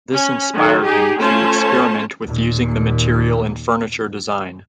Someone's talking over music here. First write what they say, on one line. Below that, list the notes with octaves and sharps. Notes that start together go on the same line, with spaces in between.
This inspired him to experiment with using the material in furniture design.
C#4
D#3 F#3 A4
D#4 G4 G#4
A3 C#4 F4 C5 C#5 A5
D#2 A#2